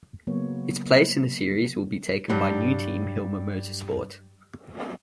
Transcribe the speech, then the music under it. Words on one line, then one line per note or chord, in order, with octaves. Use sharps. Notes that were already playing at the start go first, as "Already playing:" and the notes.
Its place in the series will be taken by new team Hilmer Motorsport.
C#3 F#3 A#3 B3 C#5
G2 F#3 G3